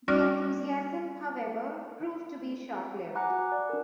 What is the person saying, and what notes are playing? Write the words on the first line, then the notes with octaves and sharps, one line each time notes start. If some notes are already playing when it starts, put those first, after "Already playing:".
The enthusiasm, however, proved to be short lived.
G3 C#4 F#4 D5 D6 F6
F#5 G#5 A#5 B5 D6 F#6
F#4
D5
D4 A#4